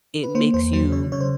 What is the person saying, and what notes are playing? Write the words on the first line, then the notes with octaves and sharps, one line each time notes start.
it makes you
B4
A#3 C5
E2 C5
F#3 C5
C#3 C#5
C#3 C#5
C5